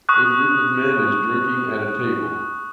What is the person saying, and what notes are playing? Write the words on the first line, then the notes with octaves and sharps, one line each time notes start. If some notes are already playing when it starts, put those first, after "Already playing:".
A group of men is drinking at a table.
C#6 D#6 F#6